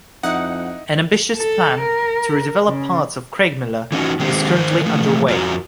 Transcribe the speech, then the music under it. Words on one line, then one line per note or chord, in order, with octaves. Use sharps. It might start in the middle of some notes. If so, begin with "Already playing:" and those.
An ambitious plan to re-develop parts of Craigmillar is currently underway.
F2 D#4 E4 F#5
A4
A#4
C#3
E3 C#4 D#4 F#4
D#3 G#3 C4 E4 G4 C5
D#3 A#4 C5
E3 F3 A3
F2 F3 F#4 A#4